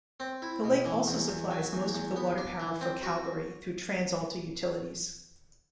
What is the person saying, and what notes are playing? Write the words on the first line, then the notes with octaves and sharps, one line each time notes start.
The lake also supplies most of the water power for Calgary through TransAlta Utilities.
C4
E4
B2
E3
E2
E2
F#3
E2
E2
B3
D4
E3
C4
F#4